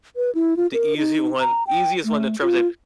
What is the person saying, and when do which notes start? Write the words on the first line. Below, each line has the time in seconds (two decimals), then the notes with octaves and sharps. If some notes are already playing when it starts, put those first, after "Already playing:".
the easy one easiest one in terms of
0.16 B4
0.35 E4
0.57 F4
0.73 A#4
0.97 D#4
1.41 A#5
1.67 G5
2.04 A3
2.41 F4